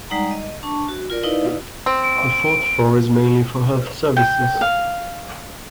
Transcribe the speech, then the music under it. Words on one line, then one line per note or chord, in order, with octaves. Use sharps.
The fourth floor is mainly for health services.
G3 G#3 D#4 D5 F#5 A#5
D#5
D4 A5 C#6
F#4
F4 A#4 D5
D#4 E4 B4 D5 D#5 F5
C4
D7
G5
F5